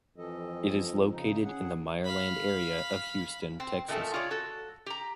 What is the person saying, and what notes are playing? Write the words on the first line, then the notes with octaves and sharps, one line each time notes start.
It is located in the Meyerland area of Houston, Texas.
F2 E3 A4 D#5
C#3 D#4
C#4 G#4 F#5
F5 B5
C4
A#2 D#3 A3 C#4 A4
F4 G#4 C#5 D5
F#4 A4
G4 A#5